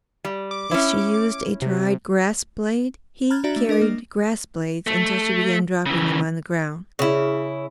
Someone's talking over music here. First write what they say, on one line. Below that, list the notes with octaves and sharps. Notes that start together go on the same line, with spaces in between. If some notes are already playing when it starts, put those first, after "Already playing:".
If she used a dried grass blade, he carried grass blades until she began dropping them on the ground.
G3
D6
C#4 E4
C3
A#5 B5 F6 F#6 G#6 A6
D4 F#4 D5 E5 A#5 A#6
A3
D4 A#4 D#5 D6
A#3
A3
C#3 E3
C#3 E4